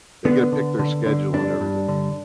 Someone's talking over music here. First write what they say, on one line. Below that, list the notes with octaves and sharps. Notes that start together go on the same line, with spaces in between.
they get to pick their schedule and everything.
D3 B3
D3
D3
D3
G2 D4
G2
D3